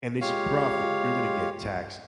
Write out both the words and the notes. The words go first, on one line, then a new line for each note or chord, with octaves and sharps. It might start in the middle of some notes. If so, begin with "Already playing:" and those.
and it's profit, you're going to get taxed
G#3 F4 G4 C#5 F5